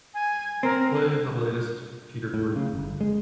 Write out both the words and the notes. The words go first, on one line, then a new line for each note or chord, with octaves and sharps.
Play the latest Peter Green.
G#5
C4 A#4
A2
C#3
G1
G#3